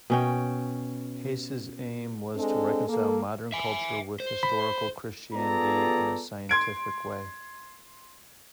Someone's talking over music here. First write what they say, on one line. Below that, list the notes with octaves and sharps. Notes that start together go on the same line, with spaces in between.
Hase's aim was to reconcile modern culture with historical Christianity in a scientific way.
B2 C#4 G5
G#3 C4 D4 A4
A#3 A4
E5 G#5
C5
B5
B3 F4 G#4 A4 D5 A#5
C6 G#6 D7